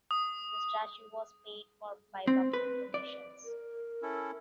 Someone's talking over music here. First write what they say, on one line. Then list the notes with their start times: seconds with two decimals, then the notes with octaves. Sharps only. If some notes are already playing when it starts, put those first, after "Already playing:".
The statue was paid for by public donations.
0.11 D#6
2.27 C4
2.54 B4
2.94 D5
3.44 A#4
4.02 C#4 E4 A4